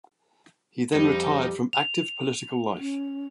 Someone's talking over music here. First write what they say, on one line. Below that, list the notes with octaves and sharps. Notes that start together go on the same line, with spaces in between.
He then retired from active political life.
F2 G3 D#4
F7
C#4